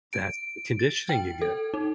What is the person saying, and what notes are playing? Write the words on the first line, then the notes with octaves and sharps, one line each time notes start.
that's the conditioning you get.
D7
A6
G5
A4
D#4